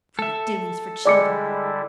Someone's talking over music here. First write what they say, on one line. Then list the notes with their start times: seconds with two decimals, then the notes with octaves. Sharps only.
Pretty doings for children.
0.19 A4 E5
1.05 D3 G3 G#3 E4 D5 D6 C#7